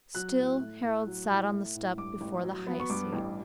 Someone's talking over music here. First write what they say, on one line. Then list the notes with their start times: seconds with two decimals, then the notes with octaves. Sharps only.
Still Harald sat on the step before the high seat.
0.15 F#3 F#6
0.38 A2
0.61 A3
0.83 A2
1.07 F#3
1.30 A2
1.52 A3
1.75 A2
1.98 G2 D6
2.21 A1
2.44 F#3
2.67 B3
2.80 C#6
2.90 G2 D6
3.13 A1